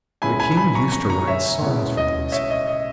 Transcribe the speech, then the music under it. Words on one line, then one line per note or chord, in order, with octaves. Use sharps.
And the King used to write songs for Bellissima.
B2 G#3 C#4 E4 G#5 B5
G#5 B5
G#5 B5
A#5 C#6
A#5 C#6
A#5 C#6
C#5 E5
B2 G#3 C#4 E4
D#5
C#5 E5
D#5
D#5